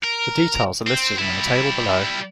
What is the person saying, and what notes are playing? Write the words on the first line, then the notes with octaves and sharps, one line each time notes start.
The details are listed in the table below.
A#4
C4
G3 E4